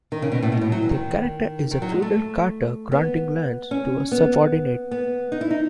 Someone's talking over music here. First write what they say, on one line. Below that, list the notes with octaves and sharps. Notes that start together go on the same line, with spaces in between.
The charter is a feudal charter granting lands to a subordinate.
D#3
C#3
B2
A2
B2
A2
F#3
E3
D#3
D#3
F#3
G#3
A3
B3
C#4
B3
B3
D#4
E4
D#4